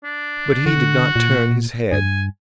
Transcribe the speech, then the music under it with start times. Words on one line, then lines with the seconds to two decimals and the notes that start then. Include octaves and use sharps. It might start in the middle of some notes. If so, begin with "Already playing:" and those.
But he did not turn his head.
0.04 D4
0.66 D3 F#4
1.16 A#2
1.92 G2 G#5